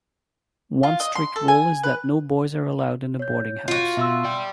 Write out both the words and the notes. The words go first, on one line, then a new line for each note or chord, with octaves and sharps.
One strict rule is that no boys are allowed in the boarding house.
F4
D#5
C6
A4
G#5
B4
C#5 G6
F4 F#4
B2 E5 C6 E6
D5 G5